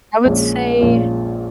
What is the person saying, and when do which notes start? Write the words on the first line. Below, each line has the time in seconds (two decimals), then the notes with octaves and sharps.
I would say
0.25 A#1 A#2 G#3 C#4 F4
0.80 A#1 A#2 G#3 C#4 F4